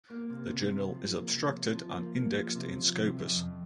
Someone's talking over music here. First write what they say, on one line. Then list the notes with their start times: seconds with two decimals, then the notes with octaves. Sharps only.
The journal is abstracted and indexed in Scopus.
0.10 A#3
0.30 C3
0.51 C3
0.72 C3
0.92 F3
1.12 A#3
1.32 C3
1.53 C3
1.74 F3
1.93 A#3
2.15 A#3
2.34 F3
2.55 C3
2.75 F3
2.95 C3
3.17 F2
3.36 F2